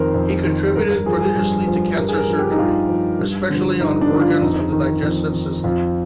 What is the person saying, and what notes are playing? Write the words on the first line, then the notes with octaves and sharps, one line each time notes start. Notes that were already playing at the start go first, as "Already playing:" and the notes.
He contributed prodigiously to cancer surgery, especially on organs of the digestive system.
Already playing: F2 D#3 A#4 C5
F2
D#3
G2 A#4
A#4
F3 G#4
G#4
G2
F3
G2 A#4
G#4
A#4
F3
G4
D#4
G2 F4
F3
G2
D3 F3
G2 D#4
D4
D3 F3
F4
F2 D#4
D#3
F2
D#3
F2 F4